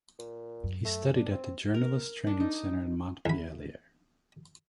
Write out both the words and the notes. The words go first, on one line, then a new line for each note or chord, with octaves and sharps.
He studied at the Journalists Training Center in Montpellier.
A#2
F#2
A3
D4
C4
A#4
D4
D#4
E2 B5